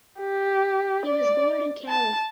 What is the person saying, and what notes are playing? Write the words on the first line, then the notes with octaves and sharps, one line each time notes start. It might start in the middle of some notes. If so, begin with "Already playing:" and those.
He was born in Cali.
G4
D5
A5